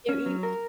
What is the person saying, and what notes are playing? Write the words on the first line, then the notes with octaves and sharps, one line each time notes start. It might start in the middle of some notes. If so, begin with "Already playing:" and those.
You you
C#4
F#3
A#4